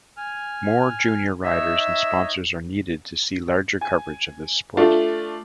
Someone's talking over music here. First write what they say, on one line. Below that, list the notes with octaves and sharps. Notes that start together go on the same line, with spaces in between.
More junior riders and sponsors are needed to see larger coverage of this sport.
G#5 F6
D#4 C#5 D#5 E5
G#5
A3 D4 F4